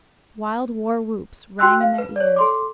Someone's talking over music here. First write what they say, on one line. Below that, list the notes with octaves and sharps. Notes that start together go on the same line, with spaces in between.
Wild war-whoops rang in their ears.
F#4 G5 C6 E6 F#6
F5
B4
C#5 D5
A4 C6 D6